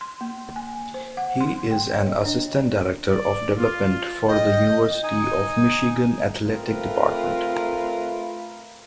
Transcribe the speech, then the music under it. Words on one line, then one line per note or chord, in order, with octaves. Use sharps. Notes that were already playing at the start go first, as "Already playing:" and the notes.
He is an Assistant Director of Development for The University of Michigan Athletic Department.
C6
A#3
G#5
C5
F#5
C6
G5
C#5
D#5
D4
D5
D5
F4
D#5 G5
D#4 G#5
A3 C4 F4 A#4 B4